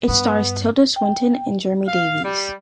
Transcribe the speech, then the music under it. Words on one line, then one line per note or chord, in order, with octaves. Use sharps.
It stars Tilda Swinton and Jeremy Davies.
G2 B3
G5
F5
G3